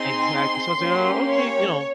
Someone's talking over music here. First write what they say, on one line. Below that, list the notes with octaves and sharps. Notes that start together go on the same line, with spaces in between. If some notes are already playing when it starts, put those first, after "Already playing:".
Exactly. So I was like, "Oh, okay," you know,
Already playing: C4 D#4 G#4 C6
A#3 C#4 G4
C#5